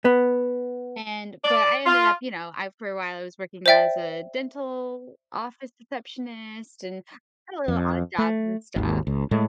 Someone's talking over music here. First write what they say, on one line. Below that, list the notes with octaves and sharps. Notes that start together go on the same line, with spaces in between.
and but I ended up, you know, I for a while, I was working as a dental office receptionist and had a little odd jobs and stuff.
B3
D5
F4
C5 D5 E5 G5 A6
F2
A3
G#1 D#2
C#2
A2 G#3 A3